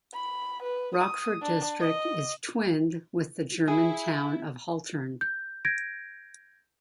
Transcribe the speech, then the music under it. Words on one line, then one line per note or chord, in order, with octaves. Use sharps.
Rochford District is twinned with the German town of Haltern.
B5
B4
D#6
D4
D#5
E4 G#4
G6
G6 G#6 A#6 D7